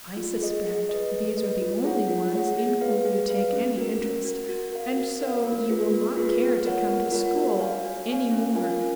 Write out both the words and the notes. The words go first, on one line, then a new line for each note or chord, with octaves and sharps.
I suspect these are the only ones in whom you take any interest, and so you will not care to come to school any more.
F4
G#4 D#5
G#4
B4 D#5
G#4
B4 D#5
F4
G#4 C#5 F#5
F4
G#4 C#5 F#5
G#4
B4 F5
G#4
B4 F5
C#4
F#4 A#4
C#4
F#4 A#4
F#4
A#4 F5
F#4
A#4 F5
A#3
F4 G#4 B4
A#3
F4 G#4 B4
B3
F4 A#4 C#5 F#5
B3
F4 A#4 C#5 F#5
F#4
C#5 F5 G#5
F#4
C#5 F5 G#5
C#4
F4 A#4 F5 G#5
C#4